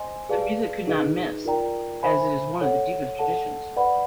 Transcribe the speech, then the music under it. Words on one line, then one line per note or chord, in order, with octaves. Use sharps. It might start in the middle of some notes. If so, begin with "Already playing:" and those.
The music could not miss as it is one of the deepest traditions.
Already playing: C5 D#5 G#5 C6
G#4 B4 D5 F5 A5
D#4 G#4 B4 D#5
F4 A#4 D5 G5 A#5
C5 E5 G#5 B5
A4 C#5 F#5
A4 D5 F#5 A5
B4 D5 F#5 B5